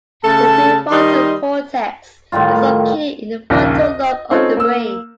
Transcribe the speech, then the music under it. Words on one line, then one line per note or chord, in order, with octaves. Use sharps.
The prefrontal cortex is located in the frontal lobe of the brain.
C#3 A3 A4 A5
D#3 G3 D#4 D#5 C6
A2 D#3 G3 F4
A#1 D#2 C#3 A#6
D#5
C4 C#4 D#4 F4 A4 C#5
A#3 E6